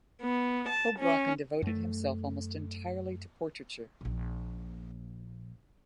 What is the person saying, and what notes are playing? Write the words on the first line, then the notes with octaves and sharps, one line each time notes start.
Houbraken devoted himself almost entirely to portraiture.
B3
A5
C#4
F#2 A3
A#1 A#2